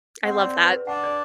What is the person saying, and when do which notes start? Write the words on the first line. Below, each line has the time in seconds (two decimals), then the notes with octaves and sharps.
I love that.
0.24 C4 F#5
0.40 D5
0.56 B4
0.72 B4
0.87 D4 F#5
1.03 D5